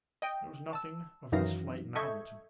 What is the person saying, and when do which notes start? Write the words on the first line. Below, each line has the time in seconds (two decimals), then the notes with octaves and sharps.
There was nothing of this flight novel to me.
0.22 D#5 G5
0.73 A5 E6
1.32 F#2 D#3 E3 D#4 F5 A#6
1.95 A4 D#5 E5 C#6 G6 G#6